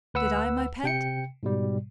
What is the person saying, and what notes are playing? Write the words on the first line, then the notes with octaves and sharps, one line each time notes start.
"Did I, my pet?"
D2 B4 F#5 E6
C3 G5 C#7
G#2 B2 G3